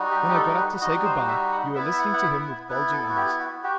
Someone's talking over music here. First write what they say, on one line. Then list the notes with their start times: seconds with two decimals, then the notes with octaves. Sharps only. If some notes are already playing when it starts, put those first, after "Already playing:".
When I got up to say good-bye, you were listening to him with bulging eyes.
Already playing: G3 D#4 F#4
0.11 G4
0.29 G4
0.34 A4
0.58 B4
0.81 G3 D#4 F#4 D#5
1.05 C5
1.28 E5
1.52 F#5
1.75 B3 E5
1.78 E4
1.93 E5
1.99 F#5
2.13 F#5
2.22 E5
2.69 B3 E4 B4
2.93 A4
3.10 F#4
3.16 G4
3.40 F#4
3.63 F#4 G4